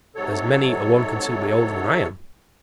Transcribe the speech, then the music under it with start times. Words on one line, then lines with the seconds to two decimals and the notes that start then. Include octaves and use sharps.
"There's many a one considerably older than I am."
0.16 G#2 C3 F#3 A4 C#5